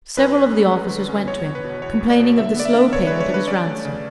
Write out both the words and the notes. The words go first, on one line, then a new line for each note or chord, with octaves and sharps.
Several of the officers went to him, complaining of the slow payment of his ransom.
F#2 B4
C#4
G#3
G#3
D3
C#4
E2 C#5
E2
B4
B2
E2 C#5
E2
D5
B2
D3 E5
B3 D5
E5
D4
D3 C#5
G#3 B4
C#5
D4 B4
C#4 D5
A3
C#3